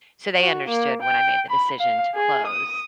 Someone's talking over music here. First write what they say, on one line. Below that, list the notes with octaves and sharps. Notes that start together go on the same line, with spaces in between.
so they understood when I made the decision to close.
F#4
A#3
G5
B5
F5
G#4
D#6